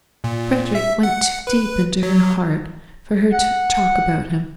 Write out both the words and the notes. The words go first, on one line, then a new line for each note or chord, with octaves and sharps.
Frederick went too deep into her heart for her to talk about him.
A#2
E5
F#5
B4
F#3
F#5